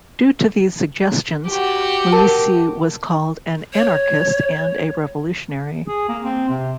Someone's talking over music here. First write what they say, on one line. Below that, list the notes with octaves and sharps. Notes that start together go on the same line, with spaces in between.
Due to these suggestions, Luisi was called an anarchist and a revolutionary.
F#4 G4
A#4 A5
C#5
G#4
A#3
C4
C3